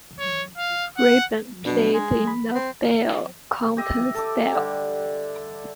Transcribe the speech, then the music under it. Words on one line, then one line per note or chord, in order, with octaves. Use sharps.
Rabin played in a bel canto style.
C#5
F5
F#5
B2 D4
G#3
B5
C4
G4 D#5 E5
A4 D6
D3 G3